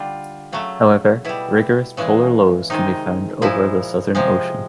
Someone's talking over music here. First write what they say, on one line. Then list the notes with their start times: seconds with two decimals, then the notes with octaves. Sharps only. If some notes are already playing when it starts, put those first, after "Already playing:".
However, vigorous polar lows can be found over the Southern Ocean.
Already playing: D3 G3 F4
0.52 C#3 F#3 A3
1.25 B2 G3 E4
1.97 C#3 E3 G#3
2.70 C3 D#3 G#3 D#4
3.42 A#2 F3 G#3 E4
4.15 C3 F3 G#3